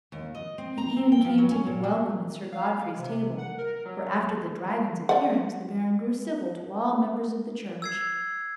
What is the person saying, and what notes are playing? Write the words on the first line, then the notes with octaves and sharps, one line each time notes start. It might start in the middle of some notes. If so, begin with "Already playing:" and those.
He even came to be welcome at Sir Godfrey's table; for after the Dragon's appearance, the Baron grew civil to all members of the Church.
D#2
D#5
C4
A#5
C4
G5
F3
F#3
C#4
A#2
F#3
F5
C3
F#5
A#4
F#3
D5 F#5
E6 G#6 C7